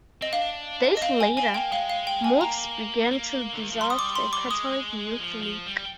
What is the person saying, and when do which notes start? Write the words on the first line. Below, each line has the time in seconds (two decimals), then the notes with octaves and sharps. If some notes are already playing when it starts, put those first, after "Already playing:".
Days later, moves began to dissolve the Catholic Youth League.
0.22 C4 D#5
0.33 D4 F5
0.97 D#5
1.02 C4 F5
1.20 G#5
1.37 C4 G#5
1.54 A#3 G5
1.72 G#3 F5
1.90 F5
2.07 G5
2.24 G#5
2.41 A#3 A#5
3.11 A#3
3.53 D3
3.62 D#3
3.71 F3
3.80 G3 C6
3.90 D#6
3.99 D6
4.16 C6
4.33 D6
4.50 G#3 D#6
5.20 F3
5.43 F3
5.66 G3